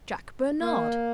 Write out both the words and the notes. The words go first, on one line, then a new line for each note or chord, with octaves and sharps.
Jack Bernard!
A#3